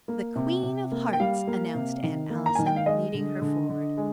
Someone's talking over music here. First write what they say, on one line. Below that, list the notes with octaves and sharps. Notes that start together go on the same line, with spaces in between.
"The Queen of Hearts," announced Aunt Allison, leading her forward.
A#3
C3
C3
A#3
G5
G3 F5
A#3
C3
D#3
A#3
A#5
D#3 G#5
G5
F5
G#3 D#5
D3
D3
D3
G#3